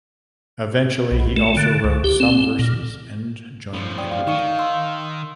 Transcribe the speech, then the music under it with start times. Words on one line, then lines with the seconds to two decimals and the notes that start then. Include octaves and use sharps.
Eventually he also wrote some verses and joined the group.
1.11 B1
1.36 A3
1.57 D3
1.84 C#2
2.04 G4
2.20 C4
2.59 A#2
3.74 A2 F3
3.98 D5 G5 D#6
4.10 F5
4.27 D#3 D#4 C#6 C#7
4.59 C6 E6